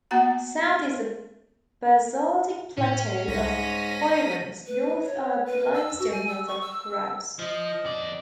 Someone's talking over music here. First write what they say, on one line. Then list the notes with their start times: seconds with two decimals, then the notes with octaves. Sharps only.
South is the basaltic plateau of Coirons, North are the limestone hills of "Grads".
0.11 A#3 B3 F#4 F#5 A#5
2.78 A2 C#4
3.28 C2 G#2 A#6 B6 D#7
4.67 B4
5.04 C#5
5.46 B4
5.74 E6
5.99 F#4
6.11 G#5
6.28 E6
6.47 C#6
6.61 E6
7.39 F3 D#5
7.85 F2 D5